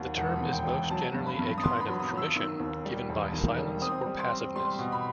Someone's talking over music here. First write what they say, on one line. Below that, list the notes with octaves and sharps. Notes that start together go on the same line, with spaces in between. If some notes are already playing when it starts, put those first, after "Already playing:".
The term is most generally a kind of "permission" given by silence or passiveness.
Already playing: D#2 D#3 F#3 F#5
E1 F#5
D#2
G5
E1
F#3 A5
G2
B5
G2
D#6
B3 C6
B5
F#3
D#6
F#3
E6
D#3 E6
D#2
G3
E1
D#3
G3
C4 D#6
G3
C6
C4
G3 C6
B2
B5